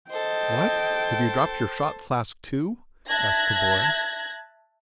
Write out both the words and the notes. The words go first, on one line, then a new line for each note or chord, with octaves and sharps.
'What! have you dropped your shot-flask too?' asked the boy.
A4 C5 D#5 G5
E5 A5 F#6 G#6 A#6